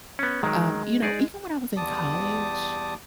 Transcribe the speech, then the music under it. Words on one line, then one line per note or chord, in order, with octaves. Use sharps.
um, you know, even when I was in college,
B3 C#4
D#3 F#3 G#3
G#3 D#4 G#4 D5
E2 G3 A5 D6 D#6